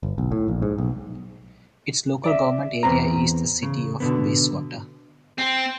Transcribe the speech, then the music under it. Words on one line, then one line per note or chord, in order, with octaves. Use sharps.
Its local government area is the City of Bayswater.
G1
B1
A2
A#1
G#2
B1
D5 E5
E2 G2 C4 B4 A#5
C#3
B2 D3 B3
C4